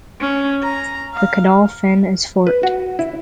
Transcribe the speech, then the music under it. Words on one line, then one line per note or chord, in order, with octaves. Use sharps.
The caudal fin is forked.
C#4
A#5
F5
B4
F#4
E4